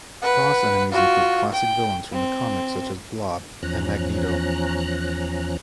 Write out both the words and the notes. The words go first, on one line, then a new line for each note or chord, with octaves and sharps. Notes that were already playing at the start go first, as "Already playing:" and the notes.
Boss enemies include classic villains from the comics such as Blob and Magneto.
B4 F#5
F4 F#4
G5
C4
E2 F3 C#4 A#5 F#6